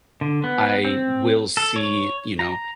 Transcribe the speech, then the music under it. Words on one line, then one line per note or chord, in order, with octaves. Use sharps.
I will see, you know,
D3
B3
C4
A4
C#5
A#5